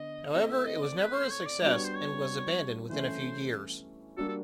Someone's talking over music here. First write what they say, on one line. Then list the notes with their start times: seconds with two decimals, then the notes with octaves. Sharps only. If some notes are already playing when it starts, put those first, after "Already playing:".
However, it was never a success, and was abandoned within a few years.
Already playing: D3 B3 D#5
0.35 A3 C4 E4 A4 D#5
0.50 E5
0.66 D#5
0.83 D5
0.98 B4
1.14 C5
1.30 C#5
1.46 D5
1.62 G3 B3 D4 F#4 D5
1.73 C#5
1.84 C5
1.95 C#5
2.89 E3 A3 C#4 C5
4.17 G3 A#3 D4 F#4 A4
4.28 A4